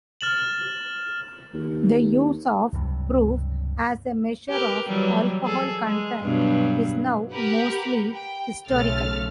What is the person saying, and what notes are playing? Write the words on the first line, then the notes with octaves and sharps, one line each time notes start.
The use of proof as a measure of alcohol content is now mostly historical.
F6 A6 E7 F#7
D#2
C#2 G2 C3 F#3
G4 A#4 B4
E3 F#3 G3
G#4 A4
G#3
G2 B2 F#3
G4 A#4 B4 F#5 B5
G5
B1 C#3 A3 F6 A6